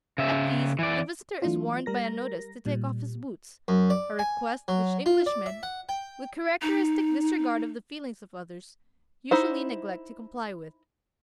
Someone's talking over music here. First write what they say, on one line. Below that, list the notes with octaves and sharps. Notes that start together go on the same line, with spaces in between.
At these the visitor is warned by a notice to take off his boots, a request which Englishmen, with characteristic disregard of the feelings of others, usually neglect to comply with.
C#3 E5
E3 D5
E3 F#3 A3 D4 E4 F4
G3 A#4 A#6
A#2 G3
F#2
D5
G#5
F#3
F4
D5
E5
F#5
G5
D#4
D#4 E4 C5 F#5